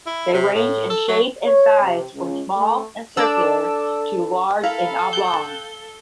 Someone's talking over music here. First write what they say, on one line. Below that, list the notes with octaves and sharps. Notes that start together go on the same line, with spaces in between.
They range in shape and size from small and circular to large and oblong.
E4
C3
A2
A4
F#3
C#5
C3
C#2
A3
D4 A4 D5 E6
E4 A4 A#4 F5 B5
G5 F#6 G6 G7